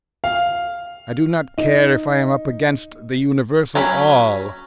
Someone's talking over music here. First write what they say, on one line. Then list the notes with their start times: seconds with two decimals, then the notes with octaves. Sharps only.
I do not care if I am up against the universal All.
0.24 F5
1.58 D#4
3.75 F#3 C#4 B5